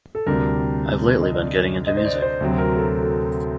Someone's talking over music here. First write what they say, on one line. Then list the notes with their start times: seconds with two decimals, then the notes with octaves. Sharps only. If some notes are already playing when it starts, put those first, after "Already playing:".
I've lately been getting into music.
0.15 A4
0.26 D2 C3 G3 D4 A#4
1.22 D#5
1.34 D5
1.87 D#5
1.97 C5
2.05 D5
2.22 C5
2.41 D2 C3 F#3 C4
2.58 A#4
2.76 A4
2.89 A#4
3.03 A4